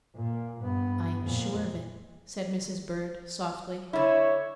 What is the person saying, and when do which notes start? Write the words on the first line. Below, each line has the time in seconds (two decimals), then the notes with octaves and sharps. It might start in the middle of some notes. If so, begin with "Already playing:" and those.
"I am sure of it," said Mrs. Bird, softly.
0.16 A#2
0.61 G2 B3
1.23 F2 A#2
3.93 D3 E4 C#5